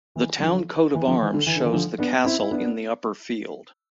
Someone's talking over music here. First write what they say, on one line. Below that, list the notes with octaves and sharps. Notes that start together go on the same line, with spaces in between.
The town coat of arms shows the castle in the upper field.
E3
D3 F3
E3
D3 F3
E3
D3
E3
D3
E3
D3 F3
B3 D4
C4 E4
E4
B3 D4